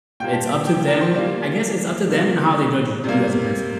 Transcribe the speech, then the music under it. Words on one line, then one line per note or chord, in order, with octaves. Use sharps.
It's up to them I guess it's up to them and how they judge you as a person.
A#2 G3 A#3 G5
A5
G5
G5
A#4
C5
A#2 G3 A#3 D5
C3 G3 A#3
C3 G3 A#3